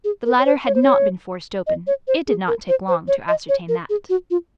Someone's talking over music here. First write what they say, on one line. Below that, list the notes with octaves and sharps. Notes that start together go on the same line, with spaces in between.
The latter had not been forced open--it did not take long to ascertain that.
G#4
A#4
C#5
C5
C#5
C5
C#5
D#5
C#5
C5
G#4
A#4
C5
C5
C#5
D#5
C#5
A#4
G#4
F#4
F4